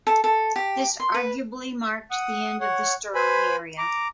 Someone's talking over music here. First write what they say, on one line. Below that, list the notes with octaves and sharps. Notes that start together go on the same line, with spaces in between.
This arguably marked the end of the Sterling Area.
A4
A4
G4
C6
B4
F#5 D#6
C#5 F#5
B4 C5 G#5 B5
A#5 D6